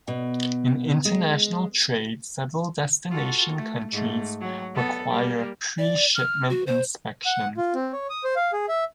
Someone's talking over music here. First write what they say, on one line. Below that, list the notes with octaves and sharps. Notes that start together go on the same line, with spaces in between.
In international trade several destination countries require pre-shipment inspection.
B2
G#3
F4 F#4 A4
A3
G#2 A3
F#3
B3 A4
G3 A#3
D5
F6
F#4
C5
F#5
F4
C4
C#5
D#6
C5
F5
G#4
E5